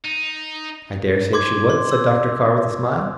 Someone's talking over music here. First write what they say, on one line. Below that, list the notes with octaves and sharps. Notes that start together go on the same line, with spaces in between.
"I dare say she would," said Dr. Carr, with a smile.
D#4
C6 D6 G#6
C6
E6